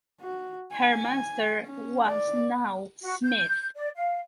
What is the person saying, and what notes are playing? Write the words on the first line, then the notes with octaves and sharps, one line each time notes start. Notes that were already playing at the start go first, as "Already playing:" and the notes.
Her master was now Smith.
F#4
G#5
C#4
D5
F#4
G6
D5
F5